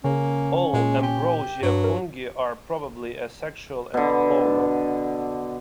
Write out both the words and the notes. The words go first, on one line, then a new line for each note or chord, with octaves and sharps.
All ambrosia fungi are probably asexual and clonal.
C#3 A#3 C#4
A#2 G#3
G4
G2 F#3
A#4
B2 D3